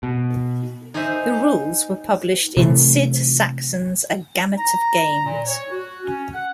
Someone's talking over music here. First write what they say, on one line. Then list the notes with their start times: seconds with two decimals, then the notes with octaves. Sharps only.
The rules were published in Sid Sackson's "A Gamut of Games".
0.03 B2
0.94 D#4 G#4 C5 D#5 E5
2.57 C3 E3 A3
4.57 A#5
5.24 A#2
5.45 C#5
5.71 F#4
6.05 C#4
6.33 F#5